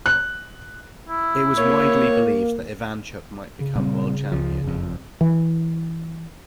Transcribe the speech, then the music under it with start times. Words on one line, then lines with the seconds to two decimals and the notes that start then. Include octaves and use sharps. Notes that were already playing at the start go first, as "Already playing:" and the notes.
It was widely believed that Ivanchuk might become World Champion.
0.06 F#6
1.09 E4
1.58 A#3 C#5
3.60 C#3
3.76 A#2 G3 C4
4.32 C#2 F3
4.64 F#1 F2
5.21 E3